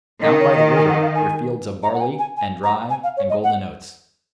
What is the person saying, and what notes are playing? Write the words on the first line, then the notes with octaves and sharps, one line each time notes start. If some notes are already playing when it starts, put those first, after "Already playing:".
Down by the river were fields of barley and rye and golden oats.
D#3 D#5
C#5
D#5
G#5
F#5
F5
G#5
A#5
F#5
G#5
G#5
G#5
A#5
G#5
F5
C#5
D#5
F#5